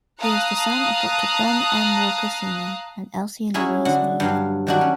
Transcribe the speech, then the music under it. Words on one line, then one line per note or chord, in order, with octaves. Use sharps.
He is the son of Doctor John M. Walker Senior and Elsie Louise Mead.
F5 A5 A#5 D#6 F#6
F#3 C#4 E4 G#4 C#5
D3 F#4 F#5
G2 F#3 F5
D#3 F#3 D4 E4 F#4
C#4